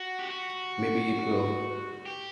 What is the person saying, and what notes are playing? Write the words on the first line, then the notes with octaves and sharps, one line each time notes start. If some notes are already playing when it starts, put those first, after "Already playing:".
Maybe it will.
Already playing: F#4
G4
F#4
G4